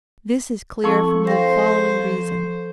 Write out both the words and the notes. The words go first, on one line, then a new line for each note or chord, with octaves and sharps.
This is clear from the following reason.
F3 C4 E4 A4 C#6
C5 F5 G5 A#6
F3